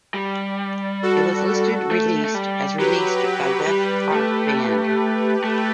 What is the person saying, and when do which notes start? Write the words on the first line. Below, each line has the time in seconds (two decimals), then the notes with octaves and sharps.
It was listed released as released by Beth Hart Band.
0.14 G3
1.03 F#4 A4
1.91 A3
2.24 A3
2.34 G3
2.79 F#3 G4 B4
3.67 G3
4.12 A3
5.44 A3